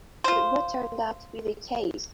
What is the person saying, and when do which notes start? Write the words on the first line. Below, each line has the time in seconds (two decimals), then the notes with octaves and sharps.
But what turned out to be the case?
0.24 F4 C5